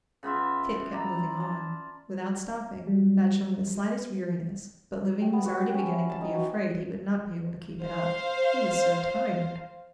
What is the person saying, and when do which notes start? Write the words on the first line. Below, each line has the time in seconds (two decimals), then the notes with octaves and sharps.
Tit kept moving on, without stopping, not showing the slightest weariness, but Levin was already beginning to be afraid he would not be able to keep it up: he was so tired.
0.23 C#3 B3 F4 E5
0.92 D5 A#5 B5
1.40 A5
2.87 F#3 G3
5.22 G4
5.33 B3
5.45 F#4
5.60 G4
5.74 C#4
5.89 E5
6.10 A5
6.21 D#4
6.34 F#4
7.83 C5 F5